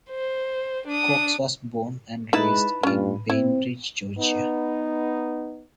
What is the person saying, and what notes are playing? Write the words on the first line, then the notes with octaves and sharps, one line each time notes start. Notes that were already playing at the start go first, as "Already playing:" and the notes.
Cox was born and raised in Bainbridge, Georgia.
C5
D4 D#6
G#3 D#4 E4 B4 A5 B5
G2 C#4 F4
C4 E4
B3 D#4